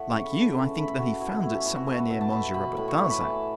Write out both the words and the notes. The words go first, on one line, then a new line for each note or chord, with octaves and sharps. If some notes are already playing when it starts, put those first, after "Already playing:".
Like you, I think that he found it somewhere near Monsieur Robert Darzac.
Already playing: A2 A3 E5 F#5
C#3 C#6
B5
C#3
A5
E3 A5
C#6
A3 B5
A4
A3 F#4
B2 E4
A3 E4
C#4
B2 E4
F#4
A3 A4
B4
B2 E5
A5
A3 B5
A5
B2 B5
A2 B5
C#6
A2
B5
E3 A5